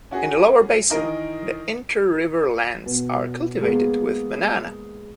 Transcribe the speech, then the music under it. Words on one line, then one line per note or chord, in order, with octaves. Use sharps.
In the lower basin, the inter-river lands are cultivated with banana.
C#4 F#4 G#4
D#3 E3 D#4 A#4
B2
G#3 A#3 B3 G#4